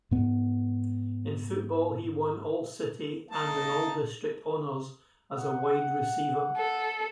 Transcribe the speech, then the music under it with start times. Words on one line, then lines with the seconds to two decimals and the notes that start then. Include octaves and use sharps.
In football, he won All-City and an All-District honors as a wide receiver.
0.11 G#2 B3
3.31 A#3 D#4 A5
5.38 F#5
6.57 A4